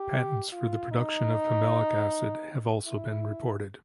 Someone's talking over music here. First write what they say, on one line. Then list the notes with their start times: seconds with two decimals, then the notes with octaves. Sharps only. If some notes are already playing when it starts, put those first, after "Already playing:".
Patents for the production of pimelic acid have also been reported.
Already playing: G4
0.52 F4
0.91 D#4
2.86 E4